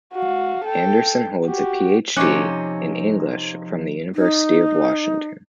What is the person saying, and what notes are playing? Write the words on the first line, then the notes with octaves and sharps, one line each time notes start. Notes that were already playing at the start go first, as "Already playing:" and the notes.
Anderson holds a Ph.D. in English from the University of Washington.
F#4 F5
A4 G5
F#4 G4
C3 F3 C#4 D#4 C#6 D6 F#6
D#4